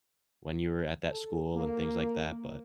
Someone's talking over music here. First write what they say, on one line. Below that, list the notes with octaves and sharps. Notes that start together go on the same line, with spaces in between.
when you were at that school and things like that, but
A4
A#3